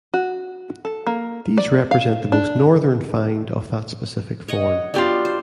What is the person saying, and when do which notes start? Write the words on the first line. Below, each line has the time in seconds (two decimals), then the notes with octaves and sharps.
These represent the most northern find of that specific form.
0.14 F#4
0.85 A4
1.07 A#3
1.58 D5
1.91 F5
2.32 D4
4.48 C#5 D#5 F#5
4.94 F#3 B3 D4 F4 G4 D5
5.25 C5